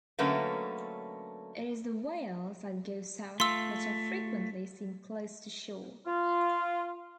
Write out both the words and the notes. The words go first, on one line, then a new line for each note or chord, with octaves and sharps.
It is the whales that go south that are frequently seen close to shore.
D3 F#3 A3 A#3 C#4 B4
A3 F4 C6 E6
F4